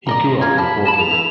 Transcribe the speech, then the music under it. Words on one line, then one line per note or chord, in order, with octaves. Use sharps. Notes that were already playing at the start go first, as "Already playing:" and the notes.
He grew up in Portland.
D5 D#5 G5 A#5
A#3 F4 C#5 G#6
F3 G4 A5 B5
D#5 A5 B5 E7
F7
A3 E4 B4